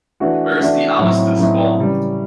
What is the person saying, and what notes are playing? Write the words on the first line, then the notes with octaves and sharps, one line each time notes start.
Where's the Armistice Ball?
E3 A3 D4 F#4
E3 A3 D4 F#4
A2 F#3 A3 C4 D#4
A2 F#3 A3 C4 D#4
C#3 E3 G3